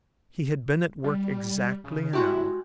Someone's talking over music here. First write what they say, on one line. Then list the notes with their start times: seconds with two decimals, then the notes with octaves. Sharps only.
He had been at work exactly an hour.
1.04 G3
1.84 C#3
2.13 G#3 E4 F#4 G4